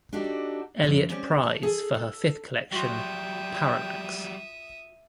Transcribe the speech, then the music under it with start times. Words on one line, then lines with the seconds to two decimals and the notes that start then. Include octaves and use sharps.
Eliot Prize for her fifth collection "Parallax".
0.13 D4 D#4 F#4 G4 A4
0.83 F2 A2 C3
1.10 G3 C4 C#4 G4
1.43 A5
1.63 G#4 A4
1.94 A4
2.72 F#3 G3 F4 F#4 E5 G5 D#6